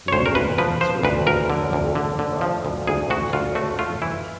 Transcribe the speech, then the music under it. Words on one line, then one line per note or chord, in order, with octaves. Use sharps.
The new administration was modelled on that introduced by the French.
C#5
D2 C5
A#4
D2 B4
F3 B4
F3 C5
D2 B4
D2 A#4
D3
D2
D3
D3
F3
D2
D2 G#4
D2 F#4
D2 F4
A3 F#4
A3 F4
E3 E4